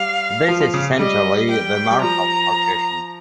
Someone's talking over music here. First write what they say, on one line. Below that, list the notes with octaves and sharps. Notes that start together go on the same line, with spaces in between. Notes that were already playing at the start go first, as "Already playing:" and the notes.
This is essentially the Markov partition.
Already playing: G3 F5
F3
F3
C#3
G3 D#5
G5
G3
F3 A#5